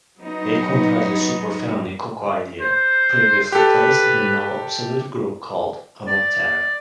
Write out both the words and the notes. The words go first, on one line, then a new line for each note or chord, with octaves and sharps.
They comprise the superfamily Coccoidea, previously placed in the now obsolete group called "Homoptera".
F#3 B3 D#4
C5
G4 A4 B4
D5